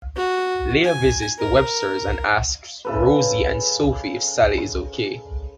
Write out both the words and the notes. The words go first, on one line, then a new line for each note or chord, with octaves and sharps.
Leah visits the Websters and asks Rosie and Sophie if Sally is okay.
F#4
G#5
A#4
C#3 A4 B4